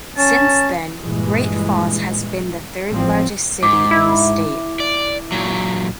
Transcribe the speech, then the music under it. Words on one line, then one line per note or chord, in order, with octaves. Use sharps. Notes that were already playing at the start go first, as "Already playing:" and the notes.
Since then Great Falls has been the third largest city in the state.
C#4 A5
G2 A#2 E3 G#3
A1 F3 G3 C4
G#2 D6
E4
D5
A#2 F#3